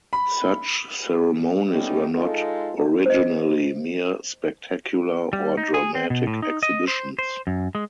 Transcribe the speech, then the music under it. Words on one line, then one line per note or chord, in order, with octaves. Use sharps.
Such ceremonies were not originally mere spectacular or dramatic exhibitions.
B5
G3 A3 B3 C#4 D#4
G#3 D#4 F4 A4
C5 D#5
G3
D#4
G#4
C4
B2
A2
D#4
D#5
C5
C5
F#2
G#3